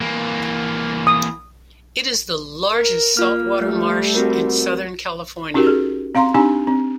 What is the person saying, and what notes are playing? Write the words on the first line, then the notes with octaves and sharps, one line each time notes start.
It is the largest salt water marsh in Southern California.
E3 A#3
D#6
A#4
A#3 F4 F6
G3 A3
C4 F#4 A#4
C#4 D#4 F#4 G4 A#4
G#4
C4 F5 A#5 C6
C4 D4 D#4 G4 G#5 A#5
C4